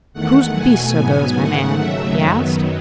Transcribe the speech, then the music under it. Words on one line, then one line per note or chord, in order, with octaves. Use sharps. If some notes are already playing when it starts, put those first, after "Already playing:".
'Whose beasts are those, my man?' he asked.
E2 D#3 A3 F#5
B2 A3 G#5
G#2 F#3 B3
G#2 D#3 A3 F#5
D#2 C#3 F#3 A3 E5
F#2 D#3 F#3 B3